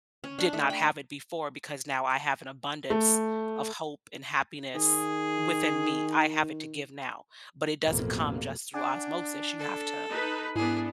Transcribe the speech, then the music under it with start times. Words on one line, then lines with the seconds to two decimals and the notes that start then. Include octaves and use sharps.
did not have it before because now I have an abundance of hope and happiness within me. I have it to give now," but it doesn't come just through osmosis, you have to
0.24 C#4
0.39 D4
0.53 A3
0.70 G5
2.90 A3
4.74 D#3 G#4
7.85 A1 F2 B2 A#3
8.74 D4 F#5 G#5 D6
9.59 A4
10.08 D#4 B4
10.56 G#2 B3 D4 E4 G#4